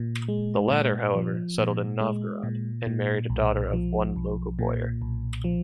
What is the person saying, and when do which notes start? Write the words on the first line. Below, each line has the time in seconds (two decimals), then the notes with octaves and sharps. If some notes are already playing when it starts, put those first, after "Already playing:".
The latter, however, settled in Novgorod and married a daughter of one local boyar.
Already playing: A#2
0.28 G#3
0.71 A#2
1.15 F3
1.58 A#2
2.01 G#3
2.43 A#2
2.87 A#2
3.30 B1
3.73 F3
4.16 B1
4.59 A#2
5.02 B1
5.44 F3